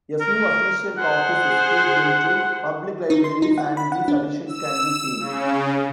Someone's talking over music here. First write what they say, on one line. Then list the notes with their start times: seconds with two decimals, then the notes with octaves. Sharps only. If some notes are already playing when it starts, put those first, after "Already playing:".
A few official copies "escaped" into public libraries and these additions can be seen.
0.21 A#4
0.98 G#4 C5 F#5
3.10 D#4
3.24 C6
3.42 D#4
3.58 F#5
3.77 B5
3.92 F#5
4.08 D4
4.46 E6
5.19 C#3